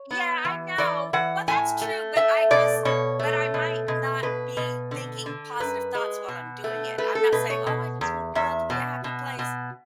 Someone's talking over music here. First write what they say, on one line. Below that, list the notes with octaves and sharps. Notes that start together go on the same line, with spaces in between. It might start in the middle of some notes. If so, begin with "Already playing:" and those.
Yeah, I know. Well, that's true, but I just but I might not be thinking positive thoughts while I'm doing it. I'm not saying, "Oh, I just want the world to be a happy place."
Already playing: C#5
B3
E3
E3 D5
E3 F#5
A2 G#5
A3
A3 E5
B2 D5
B2 C#5
A3
B2
B2
B2 B4
B2
D3
D3
F#2 B4
G#3
B2
A3
A3 B4
A4
B2 B4
C#5
B2
E2
E2 E5
B2
B2
B2